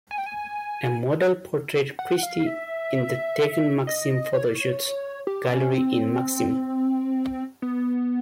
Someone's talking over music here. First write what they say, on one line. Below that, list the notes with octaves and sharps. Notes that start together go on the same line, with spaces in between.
A model portrayed Christie in the "Tekken Maxim Photoshoot" gallery in "Maxim".
G#5
G5
G#5
F#5
F5
E5
D#5
C#5
D5
C#5
G4
C4
C#4
C4
B3